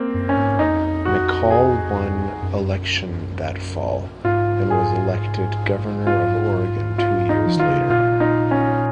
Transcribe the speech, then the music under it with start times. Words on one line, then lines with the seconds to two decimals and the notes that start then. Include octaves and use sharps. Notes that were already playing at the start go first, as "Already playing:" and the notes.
McCall won election that fall, and was elected Governor of Oregon two years later.
Already playing: A#3 C4
0.14 F#2
0.29 C#4
0.37 G#2
0.59 F2 D#4
1.05 F#4
1.50 G#4
2.42 F#2
4.24 G#2 F4
4.70 G#4
6.07 F4
6.98 F4
7.29 D#4
7.46 F3
7.57 D#3 F4
7.69 C#3
7.79 C3
7.90 A#2 F4
8.20 D#4
8.51 C#4